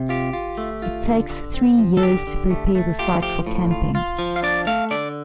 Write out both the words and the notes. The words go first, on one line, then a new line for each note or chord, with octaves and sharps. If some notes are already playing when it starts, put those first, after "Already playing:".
It takes three years to prepare the site for camping.
Already playing: C3
F4 G4
F4
A3
F4
D3
D3
C4
F3
A4
D3 G4
D3
A3
A3
F4 G4
F3 G4
A2
F4
F4
F3
F5
D4 D5
A3 F5
D3 D5